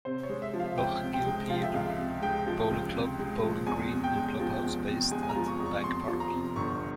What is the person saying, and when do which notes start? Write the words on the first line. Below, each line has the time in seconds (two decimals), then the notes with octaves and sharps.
Lochgilphead Bowling Club bowling green and clubhouse based at Bank Park.
0.05 C3 C5
0.23 C#5
0.29 G#3
0.42 E5
0.54 F3
0.60 F5
0.78 C#2 G5
1.02 C3
1.14 G5
1.26 G#3
1.50 F3 F5
1.63 E5
1.74 C#2 F5
1.98 C3
2.22 G#3 G5
2.46 F3
2.70 C#2
2.95 C3
3.19 G#3
3.43 F3
3.67 E2 G#5
3.91 C3
4.04 G5
4.15 G#3
4.40 F3
4.63 E2
4.88 C3
5.11 G#3 G#5
5.23 G#5
5.29 A#5
5.36 F3
5.47 C#6
5.60 E2
5.66 C#6
5.77 C#6
5.84 F2 C6
6.08 F3
6.20 A#5
6.32 C3
6.56 G1 C#6
6.80 C#6